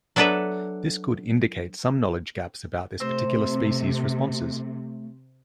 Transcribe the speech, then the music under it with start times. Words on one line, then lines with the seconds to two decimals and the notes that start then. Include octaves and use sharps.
This could indicate some knowledge gaps about this particular species' responses.
0.16 F#3 B3 D4 A4 B4 E5
3.00 C3 A3 C4 C5